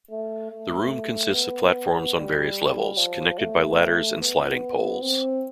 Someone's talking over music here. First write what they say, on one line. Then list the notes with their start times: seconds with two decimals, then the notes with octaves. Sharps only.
The rooms consist of platforms on various levels, connected by ladders and sliding poles.
0.11 A3
0.52 A3
1.33 B3
2.15 G3
2.97 F3
3.38 A3
4.20 B3
5.02 C4